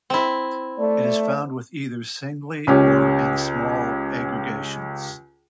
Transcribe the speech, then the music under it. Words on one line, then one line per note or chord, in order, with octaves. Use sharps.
It is found with either singly or in small aggregations.
C4 E4
A3 D5
C#2 C#4 G4